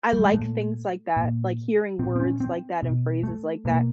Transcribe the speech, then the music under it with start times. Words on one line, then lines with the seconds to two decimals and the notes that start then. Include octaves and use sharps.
I like things like that, like hearing words like that and phrases like that.
0.13 G3
0.25 G#3
0.34 A#2 A3
1.16 A#2
1.99 A#2 C4
2.16 C4
2.20 C#4
2.40 C4
2.83 B2
3.23 A3
3.65 B2 A#3